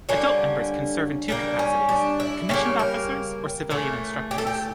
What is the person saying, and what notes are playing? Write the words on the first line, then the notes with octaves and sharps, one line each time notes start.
Adult members can serve in two capacities: commissioned officers or civilian instructors.
D3 G3 A#3 C#4
C#3 G3 A#3 D4
C#4
D4
E4
C#3 G3 A#3 C#5
A#4
C#3 E3 A3
G4
A4
G4